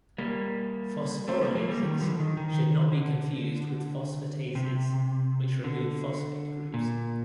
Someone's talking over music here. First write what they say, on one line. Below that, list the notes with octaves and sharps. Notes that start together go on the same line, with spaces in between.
Phosphorylases should not be confused with phosphatases, which remove phosphate groups.
G3 A#3
A3 C4
G3 A#3
F3 A3
G3 A#3
D#3 G3
D3 F3
D#3
D#3
D3
C3
D3
A#2